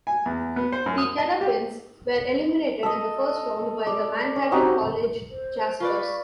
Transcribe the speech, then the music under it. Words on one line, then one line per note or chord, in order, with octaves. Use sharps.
The Terrapins were eliminated in the first round by the Manhattan College Jaspers.
G#5
E2
B3
C5
F#2
D#6
D#5
G4
A4 D#5
D5
C#4
C4 D#4 F#4 G4
C5
F4 B4 D5 C#6